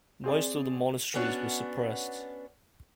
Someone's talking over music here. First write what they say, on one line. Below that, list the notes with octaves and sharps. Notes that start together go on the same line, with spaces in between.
Most of the monasteries were suppressed.
C4 G#4 D5
B3 C#4 D4 F#4 C#5